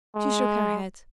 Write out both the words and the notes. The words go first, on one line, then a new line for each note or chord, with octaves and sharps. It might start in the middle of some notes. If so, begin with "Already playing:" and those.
She shook her head.
G#3